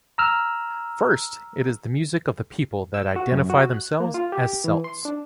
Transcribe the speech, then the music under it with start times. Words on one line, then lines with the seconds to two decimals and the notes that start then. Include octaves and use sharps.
First, it is the music of the people that identify themselves as Celts.
0.18 A#5 E6 F6
2.94 E6
3.16 F#4
3.32 F#2
3.50 F#4
3.71 F#6
4.00 A#3
4.14 F4
4.32 G4
4.64 E3
4.84 C6
5.05 D4